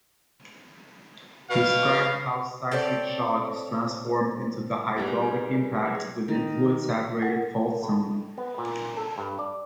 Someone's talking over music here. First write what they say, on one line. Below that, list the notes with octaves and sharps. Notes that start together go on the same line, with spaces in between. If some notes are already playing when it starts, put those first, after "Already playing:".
Described how seismic shock is transformed into the hydraulic impact within fluid-saturated fault zone.
B2 F5
C4 A4 C#5 D5
G3 B3 D#4 G4 G#4 A#4
F#3 G#4
D#3
F#5
A2
B3
A#2
A4
G2
D5